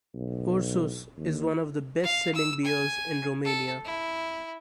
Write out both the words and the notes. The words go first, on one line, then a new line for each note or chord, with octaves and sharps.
Ursus is one of the best-selling beers in Romania.
B1
D#2
F5
E6
G#5
A4
E4